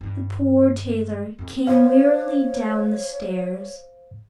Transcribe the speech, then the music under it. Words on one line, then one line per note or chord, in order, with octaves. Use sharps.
The poor tailor came wearily down the stairs.
G2 D#3
F2 F4
C5 C#5 F5